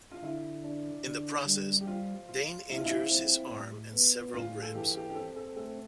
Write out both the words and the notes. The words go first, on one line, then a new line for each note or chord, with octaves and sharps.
In the process, Dain injures his arm and several ribs.
F4
D3 E4
D4
D3
G3
G4
F3 F4
F4
F3 E4
F4
E4
C4
A2
B3
A2 F4
A4
E3 G4
G4
G4
C4 A4
A4
A3 A4